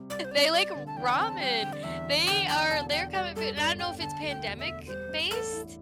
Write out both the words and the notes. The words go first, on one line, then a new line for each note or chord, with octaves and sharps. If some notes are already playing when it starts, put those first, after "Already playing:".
They like ramen, they are their comfort foo and I don't know if it's pandemic-based,
Already playing: C3 G3
C2 D5
C5
C4 D5
G3 D5
D3
A5
E2 G5
C4
A5
G3 G5
D3
D5
E2 E5
E2
D3 G5
E2 G5
E1 A5
E1 G5
G3 D5
G2 A4
G1 D5
G1 G5
D3 A5
D2
G5
E1
E5
E1
G3 C5
G2
A1 A4
E4